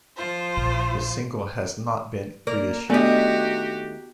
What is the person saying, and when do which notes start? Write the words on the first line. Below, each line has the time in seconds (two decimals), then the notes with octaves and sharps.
The single has not been reissued.
0.17 F3 F4 C5
0.57 A#1
2.47 A#3 A#4 D5
2.90 D#2 A3 B3 D4 D#4 F#4 G4